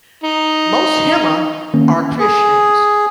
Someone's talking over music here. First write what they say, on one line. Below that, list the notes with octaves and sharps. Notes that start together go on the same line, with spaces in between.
Most Hema are Christians.
D#4
D#3 A#3 C#4
G#4